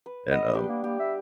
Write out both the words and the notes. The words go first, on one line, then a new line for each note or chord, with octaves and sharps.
and, um,
B4
B3 D#5
G3 D4 G4
A#3
A#3 G4
E5